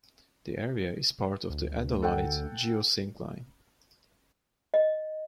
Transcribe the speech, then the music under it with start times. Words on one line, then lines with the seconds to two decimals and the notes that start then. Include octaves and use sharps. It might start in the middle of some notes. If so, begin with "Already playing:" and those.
The area is part of the Adelaide Geosyncline.
1.50 D2
2.02 A4 F#5 G5
4.74 D#5